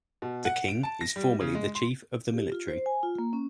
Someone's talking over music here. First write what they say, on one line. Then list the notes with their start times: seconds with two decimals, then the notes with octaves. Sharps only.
The King is formally the chief of the military.
0.22 B2
0.45 F#5
0.68 D7
0.83 A5
1.01 A#6
1.16 G3
1.41 C#3
1.55 G#3
1.75 C6
2.34 G4
2.52 F4
2.68 C5
2.86 G#5
3.03 F4
3.19 A#3
3.33 C#4